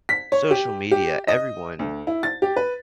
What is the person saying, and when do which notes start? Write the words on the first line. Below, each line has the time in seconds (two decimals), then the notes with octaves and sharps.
social media, everyone
0.09 B6
0.32 C#5
0.51 G4
0.91 G4
1.28 D#5
1.79 D2
2.07 E4
2.23 A6
2.42 G4
2.56 B4